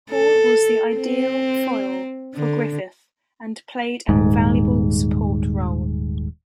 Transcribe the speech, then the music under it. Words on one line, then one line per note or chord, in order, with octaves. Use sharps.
Hall was "the ideal foil" for Griffith and played an invaluable support role.
A4
C4
D3
D#1 G#2